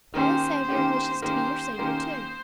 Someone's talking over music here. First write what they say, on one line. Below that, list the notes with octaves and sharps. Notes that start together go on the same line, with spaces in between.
Paula's Saviour wishes to be your Saviour too.
D#3 A#3 C#4 G4 C5
D#3 A#3 C#4 G4
D#3 A#3 C#4 G4 C5
D#3 A#3 C#4 G4